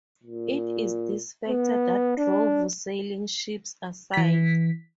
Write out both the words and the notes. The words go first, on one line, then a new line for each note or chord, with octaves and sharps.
It is this factor that drove sailing ships aside.
A#2
B3
D4
E3 B6